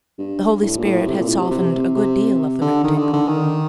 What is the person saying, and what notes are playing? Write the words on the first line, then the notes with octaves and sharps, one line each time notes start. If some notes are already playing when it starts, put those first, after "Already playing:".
The Holy Spirit had softened a good deal of the Rectangle.
G2
A2
A#2
A2
C3
A#2
A2
C3
C3
C3
D3
D#3
D3
D3
D#3